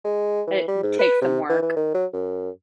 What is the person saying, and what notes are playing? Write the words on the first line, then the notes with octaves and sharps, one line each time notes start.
It takes some work.
G#3
E3
G3
G#2
B4
C3
E3
E3
D#3
F#3
F#2